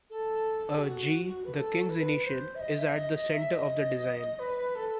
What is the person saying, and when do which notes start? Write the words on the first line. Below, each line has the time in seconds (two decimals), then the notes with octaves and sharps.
A "G", the King's initial, is at the centre of the design.
0.10 A4
0.83 F#4
1.45 B4
1.53 A4
1.90 B4
2.25 C5
2.55 E5
2.61 D#5
2.79 E5
2.96 D#5
3.14 D#5
3.32 E5
3.50 D#5
4.39 B4
4.75 A4